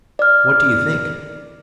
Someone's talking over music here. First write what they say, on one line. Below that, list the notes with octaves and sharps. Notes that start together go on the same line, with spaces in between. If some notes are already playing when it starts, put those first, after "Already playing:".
What do you think?
D5 F6